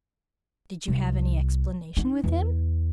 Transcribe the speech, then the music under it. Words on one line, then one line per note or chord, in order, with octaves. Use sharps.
'Did you have any explanation with him?
C2
D#4
E2